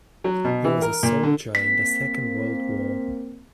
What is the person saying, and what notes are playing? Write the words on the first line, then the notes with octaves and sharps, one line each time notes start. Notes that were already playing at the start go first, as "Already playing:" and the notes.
He was a soldier in the Second World War.
F#3
B2
E3
A#4
A#2
D3
A#3 C4 B6